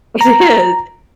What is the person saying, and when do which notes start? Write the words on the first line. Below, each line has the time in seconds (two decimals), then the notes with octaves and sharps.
It is.
0.21 A#5